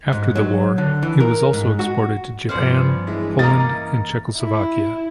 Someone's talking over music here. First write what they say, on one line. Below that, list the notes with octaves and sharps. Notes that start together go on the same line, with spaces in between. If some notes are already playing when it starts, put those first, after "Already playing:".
After the war, it was also exported to Japan, Poland and Czechoslovakia.
G#2
F#3
D3
E3
A#4
G#2
F#4
G2 F3 B3 C#4 C5 D5
E3 G#3 D4 E4
A#3 C#4 D#5 A#5 D6 D#6 A6
E4